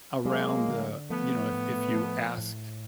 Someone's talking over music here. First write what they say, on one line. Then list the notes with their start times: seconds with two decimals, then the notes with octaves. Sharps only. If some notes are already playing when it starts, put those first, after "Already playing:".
around the you know if if you ask,
0.25 F#3 G#3 A#3
0.68 D3
1.10 F3 A3 B3
1.53 A2
1.95 F3
2.38 A2